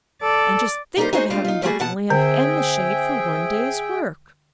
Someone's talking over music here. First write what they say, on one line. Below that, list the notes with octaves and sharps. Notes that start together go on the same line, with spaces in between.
And just think of having both the lamp and the shade for one day's work!
A4 D5
G3 D#4 E4 G4 A#4 C5
D#4 F#4 G#4 C5 C#5
G#3 A3 C4 D4 F4 G4
D#4 F4
G3 A3 F#4 G#4
B2 F#5 A5
D3 C4 G#4 E5 G5